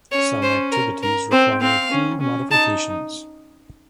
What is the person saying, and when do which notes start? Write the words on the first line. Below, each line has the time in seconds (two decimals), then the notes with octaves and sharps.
Some activities require few modifications.
0.12 C#4 C#5
0.42 C5
0.72 A#4
1.02 A#4
1.31 C4 C5
1.62 C4 F5
1.91 C#4
2.21 C#4
2.51 D#4 A5